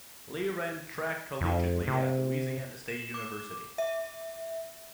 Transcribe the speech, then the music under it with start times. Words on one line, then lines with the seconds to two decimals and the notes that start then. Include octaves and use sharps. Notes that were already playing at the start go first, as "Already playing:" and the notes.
Lee ran track collegiately at Louisiana State University.
1.41 F2
1.87 C3
2.88 E7
3.14 D6
3.78 E5